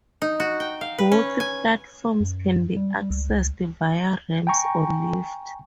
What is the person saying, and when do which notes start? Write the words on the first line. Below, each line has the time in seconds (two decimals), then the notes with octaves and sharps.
Both platforms can be accessed via ramps or lifts.
0.22 D#4
0.40 F#4
0.60 G5
0.81 F5
0.98 B4
1.12 C#4
1.40 G#5
2.20 F#2
2.76 G3
3.10 C#2
3.30 C#2
4.47 G5 G#5 A#5 C#6